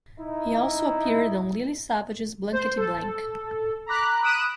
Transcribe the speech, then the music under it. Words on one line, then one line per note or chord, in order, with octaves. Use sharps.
He also appeared on Lily Savage's Blankety Blank.
D#4 E4
C5
A4
A#5 B5 D6 F#6
B5 D#6 F#6 D7 E7